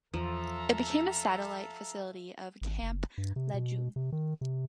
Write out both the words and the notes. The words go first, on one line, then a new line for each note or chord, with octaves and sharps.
It became a satellite facility of Camp Lejeune.
E2 F3 A4 E5 F5 A#5
G#1
F#1
G2
C3
B2
C3
D#3
C3